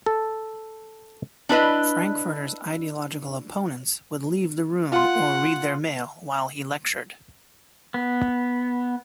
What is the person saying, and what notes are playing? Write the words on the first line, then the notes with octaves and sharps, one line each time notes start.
Frankfurter's ideological opponents would leave the room or read their mail while he lectured.
A4
D4 E4 B4 D#5
F4 F#5 C6
B3